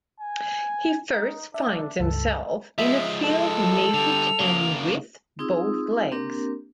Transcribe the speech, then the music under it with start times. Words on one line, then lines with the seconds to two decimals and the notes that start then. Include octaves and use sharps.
He first finds himself in a field naked-and with both legs.
0.20 G#5
1.11 D#4
1.54 D4 E5
2.00 C#2 G2 A4
2.78 F3 G#3 E5
3.24 A4
3.94 D3 G3 F7
4.40 C#3 A#3
5.39 C4 D#4 F4 G#4 D#6 E6
6.12 A#3 C4 D4 G4 A#4